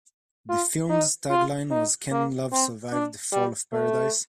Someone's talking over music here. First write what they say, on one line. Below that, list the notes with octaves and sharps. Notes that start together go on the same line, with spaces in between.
The film's tagline was Can love survive the fall of paradise?
F4
D#4
F4
D#4
A#3
C4
D4
G3
A3